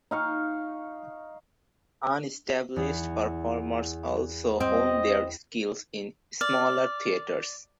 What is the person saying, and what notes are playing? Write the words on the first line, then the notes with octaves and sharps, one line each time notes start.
Unestablished performers also hone their skills in smaller theaters.
D#4 F5 C#6
E2
C4 D#5
D5 F6